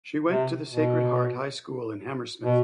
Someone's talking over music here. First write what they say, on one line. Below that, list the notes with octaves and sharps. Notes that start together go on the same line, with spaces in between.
She went to the Sacred Heart High School in Hammersmith.
C3
B2
B2